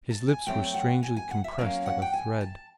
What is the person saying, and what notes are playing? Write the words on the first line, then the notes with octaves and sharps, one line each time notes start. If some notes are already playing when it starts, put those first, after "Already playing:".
His lips were strangely compressed like a thread.
A5
G#5
F#3 A3 C4 G5
F#5
G#5
G#5
F#5
E5
F#3 A#3 C#4 F5
F#5
G5
G#5
A5